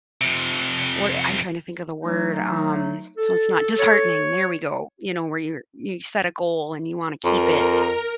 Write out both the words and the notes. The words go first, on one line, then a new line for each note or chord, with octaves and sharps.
what I'm trying to think of the word, um- so it's not disheartening- there we go. You know, where you're you set a goal, and you wanna keep it,
F2 C3
F#3 A3 D#4
A4
C#5
F2 A#4